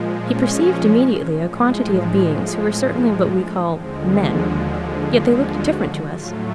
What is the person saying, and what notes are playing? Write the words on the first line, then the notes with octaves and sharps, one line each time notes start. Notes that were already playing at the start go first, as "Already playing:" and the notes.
He perceived immediately a quantity of beings who were certainly what we call "men"; yet they looked different to us.
Already playing: A#2 F3 G#3
C#4
A2 F3 G#3
D4
C4
C4
D4
D#4
D#2 D3 F3 G#3 C4
F#4
G#4
F#4
A2 F#3 A3 F4